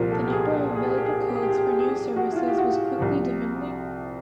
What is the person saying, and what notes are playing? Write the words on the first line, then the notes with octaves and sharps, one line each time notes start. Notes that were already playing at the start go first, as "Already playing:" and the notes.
The number of available codes for new services was quickly dwindling.
Already playing: C2 A#2 F3 A#4
A4
G4
G#4
G4
G#4
G4
G#4
G4
G#4
G4
G#4
G4
G#4
G4
G#4
G4
G#4
G4
G#4
G4
G#4
G4
F#4
E4
F4
G4
F#4
C2 C3 F3